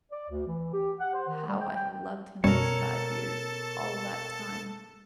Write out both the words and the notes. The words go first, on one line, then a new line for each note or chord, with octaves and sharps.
How I have loved him these five years, all that time!
D5
D2
E3
G4
F#5
C5
D#3
G3
G5
G5
F#2 B2 G3 A4 A#4 C#5 A5